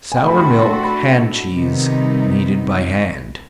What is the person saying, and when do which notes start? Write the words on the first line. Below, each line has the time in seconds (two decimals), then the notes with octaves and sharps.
Sour-milk hand cheese, kneaded by hand.
0.12 G#5
0.16 A3 D4 F#4 A4 G5
0.28 B5
0.39 B5
0.50 C6
0.62 C6
0.73 C6
0.84 B5
1.53 C3 D#3 G3 B3 D#4